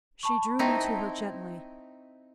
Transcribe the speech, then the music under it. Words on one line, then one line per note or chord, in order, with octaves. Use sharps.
She drew me to her gently.
A5 B5 C#6
C4 D#4 E4